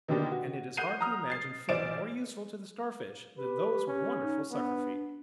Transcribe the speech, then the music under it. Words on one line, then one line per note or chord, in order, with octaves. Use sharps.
And it is hard to imagine feet more useful to the Starfish than those wonderful sucker-feet!
B2 D3 D#3 A#3 D4 G4
F#4
F#5 F#6 G6 C7 D#7
A#5 D#6 F6
A6 C7
B1 E3 C5 D5 D7 E7
G4 B4
C#4
D#4
B3 D4